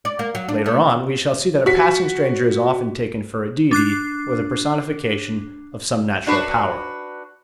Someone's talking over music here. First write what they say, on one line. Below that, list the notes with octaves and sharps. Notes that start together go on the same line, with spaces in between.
Later on we shall see that a passing stranger is often taken for a deity or the personification of some natural power.
D5
A#3
F#3
D4
A3
F#4 B6
D4 D6 F#6 C7
D4 F#4 B4